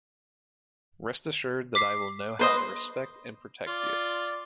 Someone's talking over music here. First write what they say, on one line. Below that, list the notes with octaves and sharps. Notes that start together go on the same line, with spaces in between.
Rest assured that I will know how to respect and protect you.
D6 B6 C7
B4 C5 D#5
F4 D5